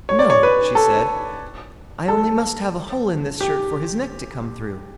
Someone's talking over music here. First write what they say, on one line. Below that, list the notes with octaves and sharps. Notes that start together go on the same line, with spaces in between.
'No', she said, 'I only must have a hole in this shirt for his neck to come through.'
C#5
D5
C#5
B4
A4
A4
G4